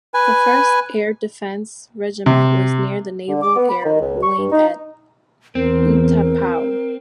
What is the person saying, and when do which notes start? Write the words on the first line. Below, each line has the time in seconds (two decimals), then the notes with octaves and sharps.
The First Air Defence Regiment was near the Naval Air Wing at Utapao.
0.14 B4 G#5
2.26 C3
3.28 D3
3.42 D6
3.55 B3
3.69 B5
3.84 D#3
4.00 C#2
4.22 C#6
4.38 G2
4.52 D#4
5.55 E2 C4 A#4